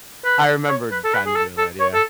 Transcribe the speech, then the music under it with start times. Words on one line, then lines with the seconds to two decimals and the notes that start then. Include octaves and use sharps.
I remembered kinda doing that, yeah.
0.25 B4
0.69 C#5
0.92 B4
1.04 A4
1.14 B4
1.26 G#4
1.36 A4
1.58 A4
1.80 C#5
1.94 A4